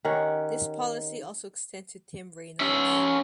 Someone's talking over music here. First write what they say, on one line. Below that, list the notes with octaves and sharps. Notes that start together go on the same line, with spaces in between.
This policy also extends to Tim Reynolds.
D#3 C#4 G4 F#5
C#4 E5